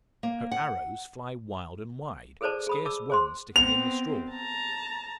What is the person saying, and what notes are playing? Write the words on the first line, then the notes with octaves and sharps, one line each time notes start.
Her arrows fly wild and wide, scarce one sticking in the straw.
A#3
F#5
G#4 A4 B4 C5 D5 A5
G#4 B5 D#6
A5 D6 E6
G#4 C5 C6
B3 C4 F7
A5 A#5